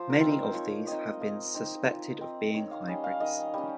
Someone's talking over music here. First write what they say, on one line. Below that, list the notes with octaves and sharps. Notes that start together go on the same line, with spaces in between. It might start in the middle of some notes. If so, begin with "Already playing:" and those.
Many of these have been suspected of being hybrids.
Already playing: F3 C5
A#4
C4 D#4
C5
F3 C#5
C4 D#4 D#5
F3 D#5
C4 D#4
F3
C4 D#4
D#3 C#5
F5
G3 C#4 D#5
F5
D#3 D#5
G3 C#4